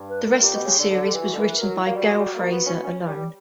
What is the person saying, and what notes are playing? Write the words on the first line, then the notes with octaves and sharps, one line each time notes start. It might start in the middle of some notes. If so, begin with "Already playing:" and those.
The rest of the series was written by Gail Frazer alone.
Already playing: G2
B4
A#4
G2
A#2 G4
B2
C#3
D3
D3
D3 G4
E3
F#4
D3
E3 A#4
B4
A#4
F#3
E4
A#3 F#4
G3
F#3
G3
A#3
B3
C#4
B3
C#4
G3